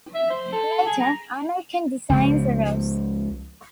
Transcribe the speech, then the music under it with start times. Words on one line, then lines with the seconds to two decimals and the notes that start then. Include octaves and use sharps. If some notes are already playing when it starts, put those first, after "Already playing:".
Later, American designs arose.
0.15 E5
0.30 C5
0.53 A4
0.87 G#4
1.00 A#5
2.09 C#2 F3